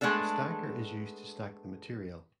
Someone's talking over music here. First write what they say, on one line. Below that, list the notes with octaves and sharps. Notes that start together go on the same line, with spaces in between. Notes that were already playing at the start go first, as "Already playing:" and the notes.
A stacker is used to stack the material.
G#3 A3 B3 D4 A4